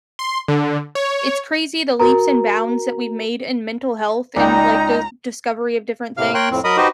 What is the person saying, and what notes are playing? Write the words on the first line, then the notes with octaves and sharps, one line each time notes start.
it's crazy the leaps and bounds that we've made in mental health, and like the discovery of different things.
C6
D3
C#5
F#4 A#4 A#5
C#2 D#4 D5 G5 A#5
A2 C3 F5 F6
A#4 C#5 G5 C6 F#6
F2 A2 C4
F#3 A#4 D#5 B5 D#6
D#4 F#4 G4 B4 C5 D#5